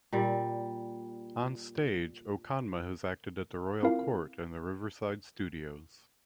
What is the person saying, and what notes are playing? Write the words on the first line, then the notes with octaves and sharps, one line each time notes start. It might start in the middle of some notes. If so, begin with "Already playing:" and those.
On stage, Okonma has acted at the Royal Court and the Riverside Studios.
A#2 G3
C4 E4 F4 A#4 F5